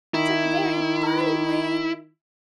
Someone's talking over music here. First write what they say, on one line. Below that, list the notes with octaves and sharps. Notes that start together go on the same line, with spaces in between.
Took very fine-ly!
D#3 E4